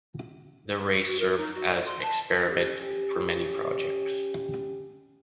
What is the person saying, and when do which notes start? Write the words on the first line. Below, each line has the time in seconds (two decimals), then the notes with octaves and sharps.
The race served as experiment for many projects.
1.06 F#4
1.20 A#4
1.37 D#4
1.54 F#4
1.70 D5
1.86 C6
2.02 A5
2.47 C#4 G4